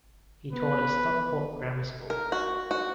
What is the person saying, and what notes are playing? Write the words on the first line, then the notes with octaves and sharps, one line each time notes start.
He taught at Stockport Grammar School.
B3 B4
A#4
F#4
F#4